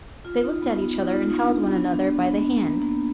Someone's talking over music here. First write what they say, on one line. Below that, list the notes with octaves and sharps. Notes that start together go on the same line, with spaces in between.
They looked at each other and held one another by the hand.
F4
D#4
B3
B3
D#4
F4
D#4
D#4
D4
B3
D4
B3
D4
B3
B3
A#3
B3
A#3
B3